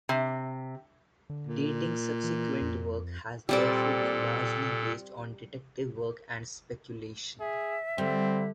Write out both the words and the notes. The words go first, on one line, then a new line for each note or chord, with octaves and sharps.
Dating subsequent work has therefore been largely based on detective work and speculation.
C3
D3
A#2
E3
F2
A#2 G3 C4 A4 D5
G#4 E5
D3 G3 C4